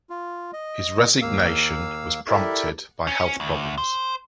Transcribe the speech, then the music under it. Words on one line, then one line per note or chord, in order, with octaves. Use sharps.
His resignation was prompted by health problems.
F4
D#5
D#2 A#3 F5 E6
E4 G4 A4 A#4 D5 E5
C#4
D2
C5